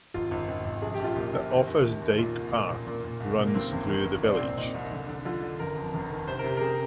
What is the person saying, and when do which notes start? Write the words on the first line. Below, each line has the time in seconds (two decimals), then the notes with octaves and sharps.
The Offa's Dyke Path runs through the village.
0.14 G#1 F4
0.31 G#1
0.48 G#1
0.64 G#1
0.82 A#1 G#4
0.94 G4
0.99 A#1 F4
1.15 A#2 G4
1.33 A#1
1.50 D#2
1.67 D#2
1.85 D#2
2.02 D#2
2.18 A#2 F4
2.35 C2
2.53 A#2
2.70 A#2
2.87 A#2
3.04 A#2
3.20 C2
3.38 A#2
3.47 A#3
3.54 G2 C4
3.72 G1
3.89 D#3
4.06 G2
4.22 C2 D4
4.35 C4
4.40 A#2
4.45 C4
4.57 A#2 D#4
4.74 C2
4.92 D3
5.08 D3
5.25 D3 F4
5.43 D3
5.60 G1 A#4
5.76 F2
5.94 G1
6.10 D#3
6.28 C3 C5
6.39 A#4
6.44 C3
6.50 G4
6.57 A#4
6.61 G#4